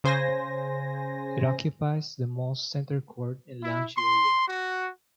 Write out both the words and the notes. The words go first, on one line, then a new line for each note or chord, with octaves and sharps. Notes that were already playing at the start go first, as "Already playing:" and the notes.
It occupies the mall's center court and lounge area.
C#3 C5 G#5 A#6
E4
C6
F#4